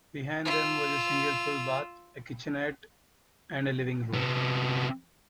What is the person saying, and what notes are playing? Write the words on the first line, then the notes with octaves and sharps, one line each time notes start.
Behind them was a single full bath, a kitchenette, and a living room.
F4 E6
C3 B3